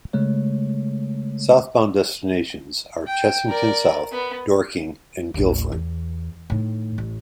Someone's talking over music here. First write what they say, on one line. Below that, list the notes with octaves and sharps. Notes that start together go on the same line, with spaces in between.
Southbound destinations are Chessington South, Dorking and Guildford.
C#3 G#3 A3 C#5
G5
A#4 D5
B3
A1 D#2
E2
A2 D#3
A1